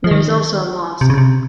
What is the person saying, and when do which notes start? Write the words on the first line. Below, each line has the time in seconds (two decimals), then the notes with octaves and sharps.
There is also a mosque.
0.04 F3
0.11 D#3
1.01 C3
1.10 C#3
1.18 C3